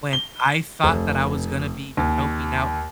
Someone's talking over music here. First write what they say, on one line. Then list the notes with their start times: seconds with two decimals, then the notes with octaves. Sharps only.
when I thought that I was gonna be helping out,
0.13 G7
0.84 F1
1.97 D#2